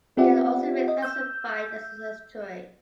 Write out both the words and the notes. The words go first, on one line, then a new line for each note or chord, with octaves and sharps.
It can also be classified as an estuary.
C4 F4 G4 D5 E5 F#5
D#5
E6 G6